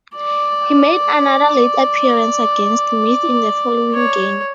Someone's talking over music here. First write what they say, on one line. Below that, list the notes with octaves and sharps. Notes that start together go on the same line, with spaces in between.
He made another late appearance against Meath in the following game.
D5
C#5